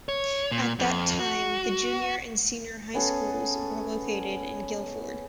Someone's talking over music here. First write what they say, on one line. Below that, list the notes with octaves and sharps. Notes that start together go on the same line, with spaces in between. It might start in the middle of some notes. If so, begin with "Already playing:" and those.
At that time the Junior and Senior High Schools were located in Gildford.
C#5
A#2
F2
F#4
B3 C#4 G#4 A4